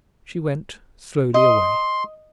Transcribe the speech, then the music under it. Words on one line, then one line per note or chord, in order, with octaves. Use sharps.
She went slowly away.
D#5 C6